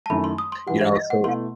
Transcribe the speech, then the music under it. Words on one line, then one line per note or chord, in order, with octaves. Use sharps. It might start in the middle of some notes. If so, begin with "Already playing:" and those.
you know? So
A5
F#2 D#3 A3 E4 B5
C6
D#6
C6
G2 E3 G3 F#5
E5
D#5
F#5
B2 A3 E4 C6